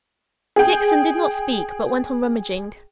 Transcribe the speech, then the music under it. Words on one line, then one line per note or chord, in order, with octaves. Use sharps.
Dixon did not speak, but went on rummaging.
G#4 G5